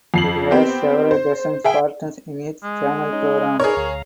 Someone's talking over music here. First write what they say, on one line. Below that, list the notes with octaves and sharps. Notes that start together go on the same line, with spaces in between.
It has several dozen partners in its channel program.
F2 C7 F#7
B3 C4 G4
C5
G#4 E5 G5
G#3
C#4 D#4 D#5
D#4 G#4 A#4 B4 C#5 D5
D2 F5 A#5